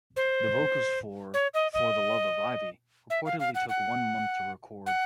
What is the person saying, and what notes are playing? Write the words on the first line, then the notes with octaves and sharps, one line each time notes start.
The vocals for "For the Love of Ivy" reportedly took one month to record.
C5
C#5
D#5
D#5
E5
F5
F5
F#5
F#5
F#5